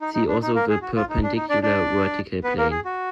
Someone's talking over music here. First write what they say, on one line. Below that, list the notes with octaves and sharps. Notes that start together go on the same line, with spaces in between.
See also the perpendicular vertical plane.
D#4
D#4
D4
D#4
A#3 A#4
G#4
F#4
F4
D#4
D4
D#4
D4 D5
D4 D5
B3 B4
A#3 A#4
G#4
F#4